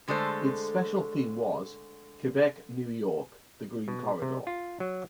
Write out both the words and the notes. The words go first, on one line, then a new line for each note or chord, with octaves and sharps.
Its special theme was: "Quebec-New York: The Green Corridor".
D3 G#3 A3 A4 C5
B2
C3
F4
F#3